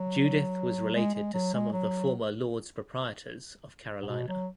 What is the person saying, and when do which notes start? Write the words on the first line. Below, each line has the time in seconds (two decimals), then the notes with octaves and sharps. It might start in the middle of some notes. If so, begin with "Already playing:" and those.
Judith was related to some of the former lords proprietors of Carolina.
Already playing: F#3
0.95 G#3
1.14 G#3
1.34 F#3
1.54 G#3
1.73 F#3
4.02 G#2
4.08 B2
4.28 F#3